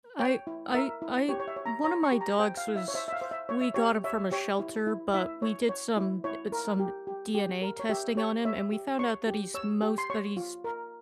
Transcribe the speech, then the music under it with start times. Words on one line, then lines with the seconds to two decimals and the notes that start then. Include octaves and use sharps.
I I I one of my dogs was we got him from a shelter, but we did some uh, some DNA testing on him, and we found out that he's most that he's
0.19 C#5 G5
0.47 E4
0.74 A#4 E5
1.02 E4
1.29 G4 C#5
1.40 C#5
1.48 E5
1.56 C#5
1.66 A#5
1.84 C#5 A#5
2.03 C#6
2.12 G4
2.21 A#5
2.40 C5 G5
2.57 F5
2.67 E4
2.76 E5
2.88 C#5
2.94 C5 E5
3.08 E5
3.13 F5
3.21 C5
3.31 E5
3.49 C#5
3.61 E5
3.74 G4 C#5
4.04 C#5 E5
4.31 G4 C#5
4.60 E4
4.87 E4
5.14 E4 E5
5.42 C#5
5.69 C#5
5.97 E4
6.24 E4 C#5
6.52 A#4
6.80 G4
7.07 G4
7.35 G4
7.62 A#4
7.80 C#5
7.89 G4 E5
8.17 G4 C#5
8.45 C#5 E5
8.72 G4
8.99 C#5 C#6
9.27 G4
9.54 C#5 E6
9.82 G4
9.98 C6
10.10 C#5 C#6
10.37 F4
10.64 A#4